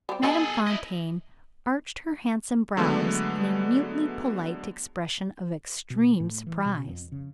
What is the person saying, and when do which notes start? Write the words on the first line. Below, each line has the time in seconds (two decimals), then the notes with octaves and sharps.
Madame Fontaine arched her handsome brows in a mutely polite expression of extreme surprise.
0.09 G3 C4
0.23 B3 D#4 G#4 A4 G#5
0.67 E4 D#5
2.77 D3 F#3 G#3 A3 B3
5.90 B2
6.20 A2
6.47 E3
6.65 B2
6.88 F2
7.12 C#3